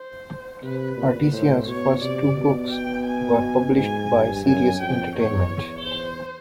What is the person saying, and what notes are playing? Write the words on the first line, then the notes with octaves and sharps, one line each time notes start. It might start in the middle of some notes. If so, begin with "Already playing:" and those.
"Artesia"'s first two books were published by Sirius Entertainment.
Already playing: C5
C3 B4
A#2
A2 C5
B2 C#5
C3 D5
B2
G5
G#5
G#2 G#5
G2
F#2 G#5
F2 G5
E2 C#5
E2
C5